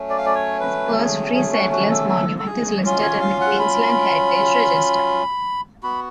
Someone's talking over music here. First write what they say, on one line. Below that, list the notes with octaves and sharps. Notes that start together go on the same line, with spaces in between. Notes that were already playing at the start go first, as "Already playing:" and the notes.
This First Free Settlers Monument is listed in the Queensland Heritage Register.
Already playing: F#3 A3 C#4
D5
F5
D5
C#5
B4
G#4
G#4
F#4
F#4
A4
A4
A4
G#4
F#3 C#4 F4
C#5
F5
F#5
B5
B3 F#4 B5